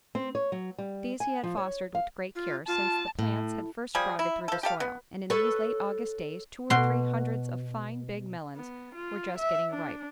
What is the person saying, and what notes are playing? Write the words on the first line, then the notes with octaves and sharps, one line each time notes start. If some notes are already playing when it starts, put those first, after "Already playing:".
These he had fostered with great care since the plants had first sprouted through the soil, and in these late August days two or three hundreds of fine, big melons were just getting ripe.
C4
C#5
F#3
G3
G#5
F3
C#5
F5
F4
F4 A5
A2
F3 G3 G#4
E4
F3 A4
G4 A4 F5
B3
A4 B4 C#5
B2 C6
B3
F4
E5
D4